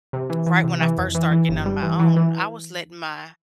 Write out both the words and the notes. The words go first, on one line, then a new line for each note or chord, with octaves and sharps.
right when I first started getting out on my own, I was letting my
C3
E3
E3
C3
E3
F2
E3
E3
G1
G3
E3
E3
E3